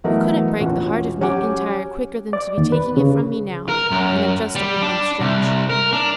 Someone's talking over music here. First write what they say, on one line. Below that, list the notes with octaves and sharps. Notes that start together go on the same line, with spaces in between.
You couldn't break the heart of me entire quicker than to be taking it from me now, when I'm just on the home-stretch.
E3 F#3 A3 B3 A#4 D#5
E1 A1 C#4 F4 F#4
F#3 C#4 G4 F#5 G#5 D6
D5
D#2
B4
C#3
A#4
F#2
G3
D4
C2
A#4
D4